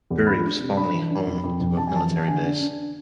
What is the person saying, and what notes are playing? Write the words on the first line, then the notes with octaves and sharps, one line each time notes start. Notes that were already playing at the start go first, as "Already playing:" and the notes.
Drury was formerly home to a military base.
E2
D4 B5
D4
C3
D4 B5
E3
D4
F2
F2
F2
F2 A5
G#5
E3 A5
E3
D3 G#5
D4
D4